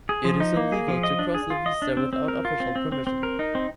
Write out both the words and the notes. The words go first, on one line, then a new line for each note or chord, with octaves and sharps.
It is illegal to cross the vista without official permission.
G#4
F3
D#4
A#3
G#4
F3
D#5
D4
G#4
F4
D#5
D4
C4
C4
A#4
F4
C4
C4
C4
C4
A#4
D#4
C4